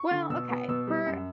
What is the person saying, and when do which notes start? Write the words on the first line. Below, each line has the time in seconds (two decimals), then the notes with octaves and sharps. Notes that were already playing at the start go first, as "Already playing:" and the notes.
well, okay. For
Already playing: C#6
0.11 D3
0.30 B2 E6
0.49 B3
0.68 B2 E6
0.87 G3
1.06 F#2